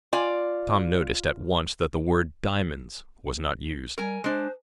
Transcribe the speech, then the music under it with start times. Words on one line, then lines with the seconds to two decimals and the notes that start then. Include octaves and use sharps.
Tom noticed at once that the word "diamonds" was not used.
0.13 F4 D5 G#5
3.98 G3 A#4 G#5
4.24 G#3 D4 C5